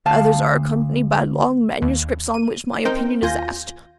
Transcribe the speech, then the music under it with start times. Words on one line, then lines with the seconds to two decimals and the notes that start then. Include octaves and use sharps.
Others are accompanied by long manuscripts on which my opinion is asked.
0.06 D2 F5 A5
1.82 D#2
2.34 D#7
2.85 C4 D#4 A#4 C5 G5
3.22 D#2 F4 G#5 G6 A#6